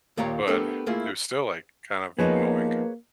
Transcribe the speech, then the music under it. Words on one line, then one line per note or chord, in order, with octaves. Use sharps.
but it was still, like, kind of annoying.
D#2 A#2 F4 G4 C#5 A#5
A3 B3 D4 G4 A4 A#4
A3 A#3 E4 F4 G#4
F3 A#3 B3 D#4 G#4 B4 C#5